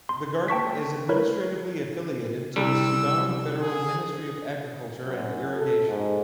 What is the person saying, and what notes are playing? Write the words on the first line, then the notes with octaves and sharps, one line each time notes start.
The garden is administratively affiliated to the Sudan federal Ministry of Agriculture and Irrigation.
C6
G5 A5 C#6 B6
E4 A#4 B4 C#5
C2 G3 E6
G#4
F#2
A4
G#2